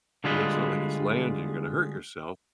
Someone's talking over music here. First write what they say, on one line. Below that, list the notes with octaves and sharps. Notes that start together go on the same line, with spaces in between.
you know, it's not like it's land, and you're gonna hurt yourself."
D3 G3 G#3 F4 G#4 B4